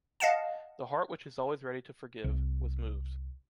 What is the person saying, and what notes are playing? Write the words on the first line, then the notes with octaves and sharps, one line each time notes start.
The heart which is always ready to forgive, was moved.
D#5 F5 F#5 A5
C2